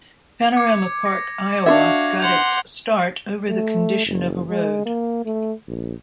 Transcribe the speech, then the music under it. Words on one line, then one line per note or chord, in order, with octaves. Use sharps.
Panorama Park, Iowa, got its start over the condition of a road.
D6 G#6 C#7
A#6 C#7
D4 F4 F#4 E5 F5 G#6
F#5 C6 G6 G#6 F7
A3
F#1
G#3
A#3
A3
A#1